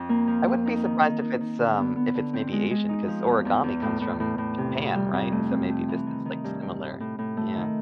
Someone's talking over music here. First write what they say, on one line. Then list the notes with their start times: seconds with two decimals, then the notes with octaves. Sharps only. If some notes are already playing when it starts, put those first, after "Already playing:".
I wouldn't be surprised if it's, um, if it's maybe Asian 'cause origami comes from Japan, right, and so maybe this is, like, similar? Yeah.
Already playing: F2
0.09 A#3
0.27 F3
0.47 F3
0.66 D#4
0.85 D#3
1.03 D#3
1.21 D#3
1.40 D#3
1.59 D3
1.77 B3
1.96 B3
2.15 D3
2.33 C4
2.52 G#3
2.71 G#3
2.89 D#4
3.08 F3
3.26 E2
3.45 E2
3.64 E2
3.82 A2
4.01 A2
4.20 A2
4.38 A2
4.58 C3
4.75 F2
4.94 G3
5.13 F2
5.32 A3
5.51 C4
5.69 A3
5.88 E3
6.06 D#3
6.25 D#3
6.44 G2
6.62 G2
6.81 A2
7.00 A2
7.19 A2
7.37 A3
7.56 D#3